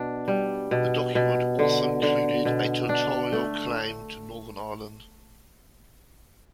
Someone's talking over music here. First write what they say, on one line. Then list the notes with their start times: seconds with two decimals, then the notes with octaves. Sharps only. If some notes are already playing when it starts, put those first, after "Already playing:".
The document also included a territorial claim to Northern Ireland.
Already playing: B2 D4
0.28 G3
0.71 B2
1.15 B2
1.59 D3
2.02 D3
2.45 B2
2.89 D4
3.32 A3